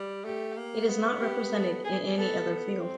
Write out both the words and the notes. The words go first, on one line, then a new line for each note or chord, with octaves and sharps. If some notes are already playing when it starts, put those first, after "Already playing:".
It is not represented in any other field.
Already playing: G3
A3 G4
A#3
B3
G4
A4
B3 G#4
B3 A4
C4